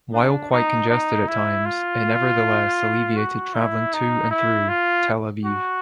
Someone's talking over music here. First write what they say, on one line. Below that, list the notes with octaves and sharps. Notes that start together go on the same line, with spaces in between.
While quite congested at times it nevertheless alleviated traveling to and through Tel Aviv.
D4
D#4
D#4
E4
F4
F#4
E4
D#4
E4
F4
F#4